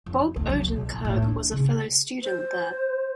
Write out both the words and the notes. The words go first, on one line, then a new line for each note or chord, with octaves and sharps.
Bob Odenkirk was a fellow student there.
F2
D2
F#3
B1
A#2
A2
D4
C#3
C5